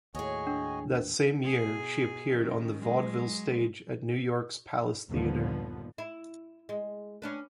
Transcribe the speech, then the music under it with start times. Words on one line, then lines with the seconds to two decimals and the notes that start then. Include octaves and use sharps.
That same year, she appeared on the vaudeville stage at New York's Palace Theatre.
0.15 D#2 A2 F#4 G#4 C#5 D#5 G#5
0.47 D4
1.44 B2 G#4
2.30 D#3 C#4
2.79 F#3 G#3
5.09 G1 D#2 A#2 D3 F3 B3
5.98 E4
6.69 G#3
7.22 C#4 D4 B4